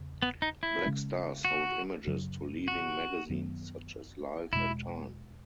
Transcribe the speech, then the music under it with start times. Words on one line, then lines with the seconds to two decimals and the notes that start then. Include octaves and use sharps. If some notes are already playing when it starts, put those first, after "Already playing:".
Black Star sold images to leading magazines such as "Life" and "Time".
Already playing: E2 C#3
0.22 B3
0.42 D#4
0.63 E4
0.84 C#3 G#3 C#4
1.45 F#4
2.07 F#2 C#3 F#3
2.68 F#4
3.29 F#2 D#3 F#3 B3
4.53 E2 B2 G#3 E4